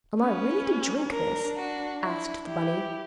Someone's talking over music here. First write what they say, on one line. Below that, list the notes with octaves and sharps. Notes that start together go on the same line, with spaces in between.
"Am I really to drink this?" asked the bunny.
C#4 B4
D4 A#4
F#4
E4
E4 G4